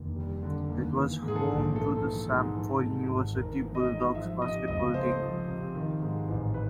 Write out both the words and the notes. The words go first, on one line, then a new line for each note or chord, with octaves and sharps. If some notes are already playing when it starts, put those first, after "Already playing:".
It was home to the Samford University Bulldogs basketball team.
Already playing: F1 D#2 D3
G3
D3
D#2
E3
G#2
G#4
A4
A#1
A3 A4
E3
G#2
E3
G#2
G#1
G#1 A#4
E3
D#5
G#2
F3 E5
C3 D#5
C#2 D#5
A3 C5
F3
C3
D#3
G#2
A1
B4